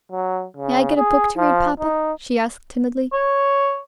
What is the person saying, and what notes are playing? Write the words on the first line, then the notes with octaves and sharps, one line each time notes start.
"May I get a book to read, papa?" she asked timidly.
F#3
C#3
G#4
F3
D#4
C#5